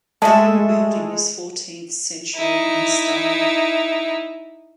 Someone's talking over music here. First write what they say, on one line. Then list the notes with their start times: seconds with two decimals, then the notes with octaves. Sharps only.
The newer building is fourteenth century in style.
0.22 G#3 A3 A4 E5 A5
2.35 D#4 E4